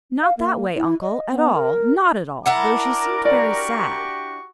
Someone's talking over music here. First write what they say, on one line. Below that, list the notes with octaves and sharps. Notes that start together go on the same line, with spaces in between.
"Not that way, uncle, at all, not at all, though she seemed very sad."
F5
A#3
E4
D#5
B3
A#4
D4 E4 A#4 F#5 D6
F#4 G4 D5 C#6